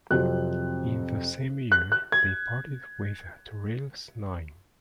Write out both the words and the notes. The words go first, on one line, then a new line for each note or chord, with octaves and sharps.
In the same year, they parted with Toril Snyen.
F2 C3 F#3 C4 F#6
F#6
F#6
G#6